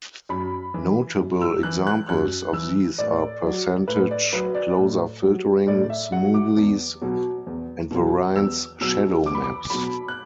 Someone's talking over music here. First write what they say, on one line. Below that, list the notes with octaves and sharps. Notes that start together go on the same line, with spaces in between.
Notable examples of these are Percentage Closer Filtering, Smoothies, and Variance Shadow maps.
F#2 B5
E3
F#2
E6
E3 F#6
F#6
F#2 F#6
E3 E6
A2 D5
F#3
A2 B4
D5
F#3 B4
D5
A2
F#3
A2 D5
E5
F#3 F#5
D6
E2
B2 F#3
E2
B2 F#3
E2 E6
B2 F#3 E6
E2 D6
B5
D6
B2 F#3 B5
F#6